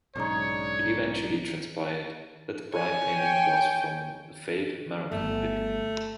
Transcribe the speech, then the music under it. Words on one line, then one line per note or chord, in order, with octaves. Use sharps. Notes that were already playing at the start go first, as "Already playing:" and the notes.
It eventually transpired that the bribe payment was from the failed Moroccan bid.
B1 G#2 C#3 D4 D#4 C#5
C#5 G#5
G5
G1 A3